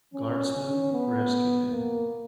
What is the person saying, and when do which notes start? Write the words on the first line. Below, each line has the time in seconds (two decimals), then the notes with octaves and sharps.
Guardsmen rescued him.
0.14 C#4
0.53 C#4
0.93 B3
1.71 A#3